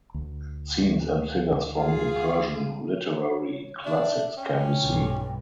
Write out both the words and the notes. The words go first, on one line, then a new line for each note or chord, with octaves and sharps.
Scenes and figures from the Persian literary classics can be seen.
D2
F4 G#4
C#5
D4 E5
C#4 G5
B1 G2